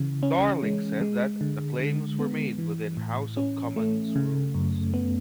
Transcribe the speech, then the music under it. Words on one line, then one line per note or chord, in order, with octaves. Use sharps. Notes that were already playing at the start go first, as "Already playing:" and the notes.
Darling said that "the claims were made within House of Commons rules".
Already playing: C#3 E3
C#4
G#3
G#3
D3
D3
B3
E3
A2
C#4
A3
C#3
F#2
B3